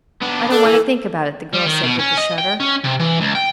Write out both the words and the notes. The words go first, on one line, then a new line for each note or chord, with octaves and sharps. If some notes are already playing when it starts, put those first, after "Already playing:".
"I don't want to think about it," the girl said, with a shudder.
B3 D4
D4 A4
E3
G3
D#3
B2
C#4
D#5
G5
C#4
C3
E3
C#2
G5